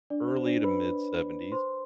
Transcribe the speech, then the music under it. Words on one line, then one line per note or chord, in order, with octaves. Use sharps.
early to mid-seventies,
D4 D5
C5
D4 D5
B4 B5
C5 C6